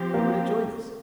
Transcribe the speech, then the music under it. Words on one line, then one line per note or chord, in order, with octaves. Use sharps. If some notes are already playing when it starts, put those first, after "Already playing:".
"Where will it join us?"
Already playing: F3 C4 G4
A#3